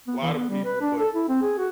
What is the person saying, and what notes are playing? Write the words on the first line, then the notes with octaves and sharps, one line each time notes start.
lotta people but
B3
E3
B3
G3
B4
D4
A4
E4
C4
G#4
F#4